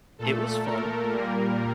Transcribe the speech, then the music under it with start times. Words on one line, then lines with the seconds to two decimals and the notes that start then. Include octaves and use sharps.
It was fun.
0.19 A#2 A3 A4
0.64 A#4
1.10 A#2 G3 A#3